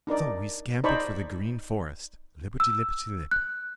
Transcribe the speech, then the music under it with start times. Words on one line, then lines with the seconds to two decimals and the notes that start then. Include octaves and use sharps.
So he scampered for the Green Forest, lipperty-lipperty-lip.
0.07 D4 D#4 A#4 D5
0.84 D#4 C5 D5 A5 B5 C#6
2.60 E6
3.31 F#6